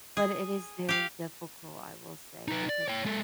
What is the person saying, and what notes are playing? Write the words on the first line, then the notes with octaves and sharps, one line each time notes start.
But it is very difficult, I will say, because,
G#4
G4 F5
D#4 B4
D5
C#5 G5
G#3 A4